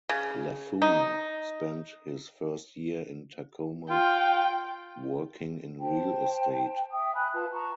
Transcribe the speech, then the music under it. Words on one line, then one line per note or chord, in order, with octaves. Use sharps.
Laffoon spent his first year in Tacoma working in real estate.
C#3
D#4
F4 G5
C5 G5 A5
E5 G5 D#6
G#5 B5 F#6
F4 B4 A5
A5 A#5 C#6